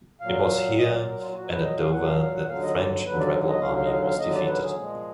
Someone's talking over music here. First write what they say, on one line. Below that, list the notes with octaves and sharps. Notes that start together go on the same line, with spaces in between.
It was here and at Dover that the French and Rebel army was defeated.
A#2 F#3 F5
A#2 F#3 D#5
D5
A#4
F4
F4
A#2 F#3 F#4
B4
D#5
F5
A#2 F#3 F#5
F5
F5
F#5
D#2 D3 F#3 F5
D#5
D5
D#2 D3 F#3 B4
D5
D#5
D#2 D3 F#3 F5
F5
D#5
F5
F5
D#2 D3 F#3 D#5
D5
B4
A#4
G#4
A#2 F3 G#3